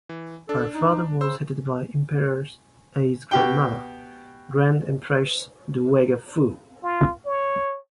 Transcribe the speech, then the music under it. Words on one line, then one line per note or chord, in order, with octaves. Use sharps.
Her father was hated by Emperor Ai's grandmother Grand Empress Dowager Fu.
E3
D4 A4
D#4
C#3 C5 E6
B2 G4 G5
F4
C#5